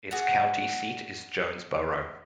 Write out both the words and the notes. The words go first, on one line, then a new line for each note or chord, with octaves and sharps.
Its county seat is Jonesboro.
F#4 G#4 D5 F#5